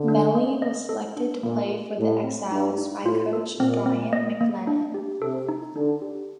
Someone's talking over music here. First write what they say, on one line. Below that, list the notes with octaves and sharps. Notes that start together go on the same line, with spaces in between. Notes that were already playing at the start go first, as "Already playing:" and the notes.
Meli was selected to play for the Exiles by coach Brian McLennan.
Already playing: D3
D4
A#3
D#5
A4
D4
A#2 A#3
G4
A2 G4
C4
G2 D#4
D#4
A2 F4
A4
A#2 C4
C4
D#5
A#3
D4
G4
C3 A4
D#4
D3 D4
G4